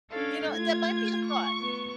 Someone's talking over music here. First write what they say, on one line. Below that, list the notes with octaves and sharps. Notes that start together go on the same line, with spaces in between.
You know, that might be a thought.
C#4 D4 A4 F5
A3 F4 G#6
C#6
B3